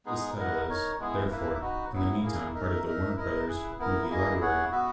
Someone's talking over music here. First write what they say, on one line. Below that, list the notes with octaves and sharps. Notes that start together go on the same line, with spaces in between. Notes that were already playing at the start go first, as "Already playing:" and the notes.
This title is, therefore, in the mean time part of the Warner Bros’ movie library.
G#3 B3 D#4 G#4
E4 A#4 D#5 F#5
D#4 A#4 C#5
G#3 B3 E4 G#4
A#3 E4 B4 E5
D#4 F#4 B4
F#3 B3 E4
A#3 E4 G#4
D#4 A#4 E5
D#4 A#4 E5
E4 A#4 D#5
E4 G#4 B4
B3 E4 A#4
A#3 E4 G#4 D#5
E4 G#4 C#5 F#5
B3 F#4 B4 E5